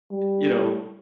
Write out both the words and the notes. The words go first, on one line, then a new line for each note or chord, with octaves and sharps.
you know,
G3